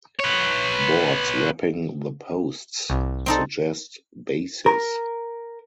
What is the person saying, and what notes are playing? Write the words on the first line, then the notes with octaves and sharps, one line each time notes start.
Boards wrapping the posts suggest "bases".
B4 C#5
C2
C4 D#4 A4
A#4